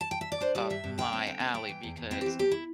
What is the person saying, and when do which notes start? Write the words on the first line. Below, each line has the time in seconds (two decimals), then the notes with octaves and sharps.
up my alley," because
0.01 A5
0.11 G5
0.21 E5
0.32 D5
0.41 D4 C5
0.55 G3 D5
0.70 G2 E5
0.84 G2
0.98 D3 G5
1.13 C4
1.27 D3
1.40 C4
1.54 A3 G5
1.69 E3
1.83 E2
1.97 E2
2.11 C4 E4
2.21 G4
2.26 E3
2.39 E2 G4
2.52 E4